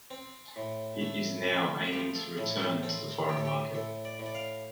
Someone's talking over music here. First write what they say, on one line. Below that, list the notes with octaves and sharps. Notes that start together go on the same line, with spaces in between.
It is now aiming to return to the foreign market.
C4
A2
A3
A3
F4
F3 G4
A4
A2 A4
A4
C4 A4
A2 G4
A4
G4
A2 A4
D5
A2
D5
F5